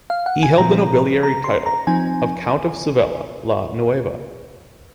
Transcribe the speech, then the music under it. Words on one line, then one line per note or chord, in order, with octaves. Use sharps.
He held the nobiliary title of "Count of Sevilla la Nueva".
F5
F#5
G#5
A#2 F3 C4 A#5
A#5
C6
A#5
F3 C4 D#4 G#5